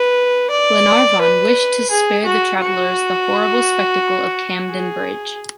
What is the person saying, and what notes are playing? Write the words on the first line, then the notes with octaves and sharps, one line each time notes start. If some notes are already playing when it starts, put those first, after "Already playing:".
Glenarvan wished to spare the travelers the horrible spectacle of Camden-Bridge.
Already playing: B4
D5
B4
G#4
F#4
F#4
G#4